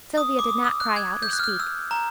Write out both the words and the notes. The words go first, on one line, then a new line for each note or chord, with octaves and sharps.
Sylvia did not cry out or speak.
D#6
D6
D#6
E6
F#6
G#6
G6
F#6
F6
F#6
E6
A#5